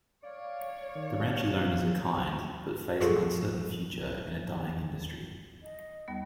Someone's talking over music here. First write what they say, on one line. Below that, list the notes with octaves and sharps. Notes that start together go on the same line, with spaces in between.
The ranch's owners are kind but face an uncertain future in a dying industry.
C#5 D5 F5
D#3
F4 F#4 G#4 A4
D#5
D#2 G3 B3